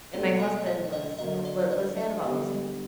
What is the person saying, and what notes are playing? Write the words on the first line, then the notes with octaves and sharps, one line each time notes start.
and my husband was Oh, what what's that about music?
B2 F#3 A3 C4 D5
D#5
D#5
D#5
D3 F#3 A#3 D#5
D5
D#5
D#5
D3 G3 B3